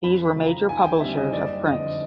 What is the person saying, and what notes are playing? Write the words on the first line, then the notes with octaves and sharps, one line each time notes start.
These were major publishers of prints.
F2 B5
B5
C#3 F3
A#5
D#2 G#5
G5
D3 G3 C4 D#4 E5
D#5
F#1 D5
F2 D3 D#5